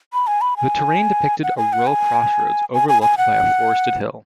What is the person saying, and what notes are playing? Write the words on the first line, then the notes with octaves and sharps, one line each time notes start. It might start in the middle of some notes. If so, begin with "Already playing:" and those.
The terrain depicted a rural crossroads overlooked by a forested hill.
B5
G#5
B5
G#5
F#5
G#5
F#5
G#5
G#5
G#5
G#5
F#5